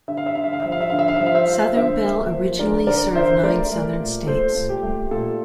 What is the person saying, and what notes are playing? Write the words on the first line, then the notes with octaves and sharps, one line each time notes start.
Southern Bell originally served nine Southern states.
D3 E5
F5
E5
D3 F5
E5
F5
F3 E5
F5
E5
D3 F5
E5
F5
F3 E5
F5
C5 E5
F3
D3 C5 E5
A#3
F3
D3 A#4 D5
D3 A#4 D5
D3 C5 E5
A3 A#4 D5
A3
A#2
A3 A4 C5
A#2
G4
A3
A#2 A4